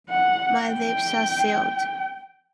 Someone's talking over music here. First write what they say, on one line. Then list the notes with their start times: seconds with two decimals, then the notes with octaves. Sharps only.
My lips are sealed.
0.10 F#5
0.67 G5